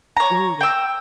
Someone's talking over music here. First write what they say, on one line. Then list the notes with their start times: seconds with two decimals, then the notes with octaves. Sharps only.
Ooh, yeah.
0.17 C#5 A#5
0.61 G5 E6